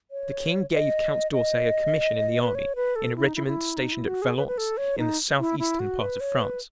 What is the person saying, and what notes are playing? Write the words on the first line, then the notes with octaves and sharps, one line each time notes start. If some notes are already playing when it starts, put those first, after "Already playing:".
The king gave Count d'Orsay a commission in the army in a regiment stationed at Valence in the southeastern part of France.
C#5
D#5
D#5
B4
C#5
B4
A4
E4
D#4
E4
E4
D#4
E4
F#4
G#4
B4
B4
A4
C#5
D#4
E4
E4
F#4
B4
C#5
B4